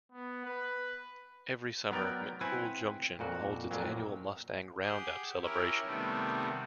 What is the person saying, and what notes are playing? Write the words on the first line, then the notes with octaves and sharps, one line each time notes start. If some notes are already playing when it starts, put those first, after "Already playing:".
Every summer, McCool Junction holds its annual Mustang Roundup Celebration.
B3
B4
F#3 B3 A#4 D5 G5
C4 E4 B4 F#5 G#5
F2 A#2 F#4
F2 A#2 F#3
G4 G#4 F#5 G6
C#4 E4 G4 A#4
C3 D#3 G3 A3 B3